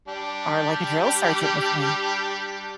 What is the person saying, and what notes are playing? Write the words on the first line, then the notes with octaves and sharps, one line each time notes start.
are like a drill sergeant with me."
G3 D4